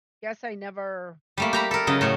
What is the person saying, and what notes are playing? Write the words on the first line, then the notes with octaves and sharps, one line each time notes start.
guess I never
G3 A3 A#3
G4 A#5 B5
A4 A#4
C#3 F#3 D#5
A2 A3 C#5